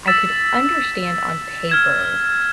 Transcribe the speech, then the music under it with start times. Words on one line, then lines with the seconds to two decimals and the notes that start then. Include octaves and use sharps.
I could understand on paper
0.07 E6 A6 B6 E7
1.70 F6 G#6 E7